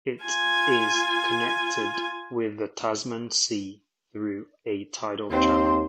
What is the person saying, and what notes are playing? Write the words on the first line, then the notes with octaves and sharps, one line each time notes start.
It is connected with the Tasman Sea through a tidal channel.
F4 G#5
D#2 C4 C5